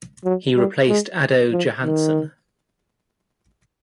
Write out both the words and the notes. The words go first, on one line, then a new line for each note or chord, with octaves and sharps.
He replaced Ado Johanson.
F#3
G3
G#3
F3
D#3